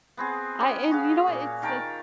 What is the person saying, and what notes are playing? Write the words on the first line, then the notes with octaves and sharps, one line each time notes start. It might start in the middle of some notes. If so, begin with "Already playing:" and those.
I and you know what, it's it's
B3 C4 G#4
C#4 G4
F#4 G#4 F5
A#2
D#3 A#4 G5 A5